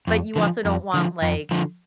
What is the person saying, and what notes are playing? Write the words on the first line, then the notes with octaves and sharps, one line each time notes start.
But you also don't want, like
F2
D3 F3
F2
D3 F3
F2
D3 F3